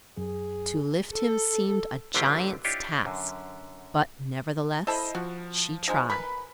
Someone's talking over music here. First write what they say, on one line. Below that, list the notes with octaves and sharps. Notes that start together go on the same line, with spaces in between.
To lift him seemed a giant's task; but nevertheless she tried.
F#2 G#4
A4
A1 D3 F#3 A#3 F4 G4
D4 E4 F4 G4 C#5 D#5
F#2 D3
E4 A4 C5 D#5 A5 B5
F3 F#4
F3 G#3 D#4
A#4 B4 B5 B6